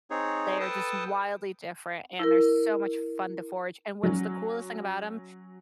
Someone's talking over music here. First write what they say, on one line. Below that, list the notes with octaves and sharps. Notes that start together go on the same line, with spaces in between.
They are just wildly different, and they're so much fun to forage, and what's the coolest thing about 'em
C4 D#4 G#4 C#5
A4 B4 G5 A5 D#6
E4 A#4
F#3 C#4